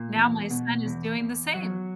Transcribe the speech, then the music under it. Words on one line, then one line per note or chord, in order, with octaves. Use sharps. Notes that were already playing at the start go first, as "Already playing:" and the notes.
now my son is doing the same,
Already playing: A#2
E2
B2
E2
E2
F#3